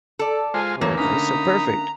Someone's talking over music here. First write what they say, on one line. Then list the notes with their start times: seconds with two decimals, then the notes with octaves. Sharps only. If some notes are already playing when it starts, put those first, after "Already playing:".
Oh, okay, so perfect.
0.19 A4 D5
0.54 G#3 F4 C5 G#5
0.81 E2 E3 A3 A#3 C#5
0.97 D3 A3 C#4 D#4 A#5 B5